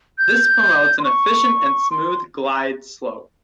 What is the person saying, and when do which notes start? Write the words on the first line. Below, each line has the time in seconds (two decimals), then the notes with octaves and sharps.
This promotes an efficient and smooth glide slope.
0.18 G6
0.99 C6
1.04 C#6
1.91 C6